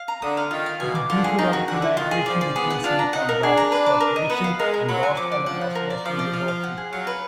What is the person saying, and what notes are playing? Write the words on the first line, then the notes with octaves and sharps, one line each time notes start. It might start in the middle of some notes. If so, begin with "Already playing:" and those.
The computer was a collaboration between Silicon Graphics Corporation and Los Alamos National Laboratory.
Already playing: F5
A#5
D3 D#6
F5
D#3 F4
F5
B2 G#5
D6
D3 F4
G#4
D#3 D#4
F#4
D3 F#5
F#5
D#3 F4
G#4
F3 D5
D5
B3 G#4
F#5
D4 F4
A#5
D#4 F#5
A#4
D4 G#4
A#5
B4
D6
A#4
D#5
B3 B4
F5
G#3 A#4
A#4
F#3 B5
G#5
F3 D6
D5
F3 F#5
F#5
A#4
D5
F3 D6
D5
F5
F5
F#5
G#4
F#3 F5
B4